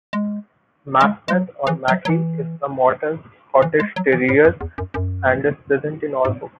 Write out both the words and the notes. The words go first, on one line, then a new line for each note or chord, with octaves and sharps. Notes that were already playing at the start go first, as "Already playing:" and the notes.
Macbeth, or "Mackie", is the Morton's Scottish terrier and is present in all books.
G#3
G#3
G#3
F#3
E3
F#3
F#3
E3
E3
G#3
F#3
E3
A2
F#2
E2
F#2
F#2
G#2